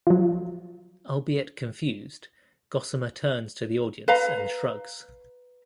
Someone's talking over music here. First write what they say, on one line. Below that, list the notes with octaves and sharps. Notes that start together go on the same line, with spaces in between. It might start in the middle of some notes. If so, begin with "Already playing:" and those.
Albeit confused, Gossamer turns to the audience and shrugs.
F3 F#3
B4 F5 A#5